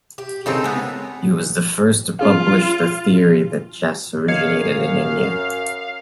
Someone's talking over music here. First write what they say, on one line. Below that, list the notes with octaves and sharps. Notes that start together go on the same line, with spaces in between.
He was the first to publish the theory that chess originated in India.
G4
C#3 C4 D#4 A4 A#4
G#3 B3
C#4 F4 G#4 F5
F#2 D#5 F5 G#6 C#7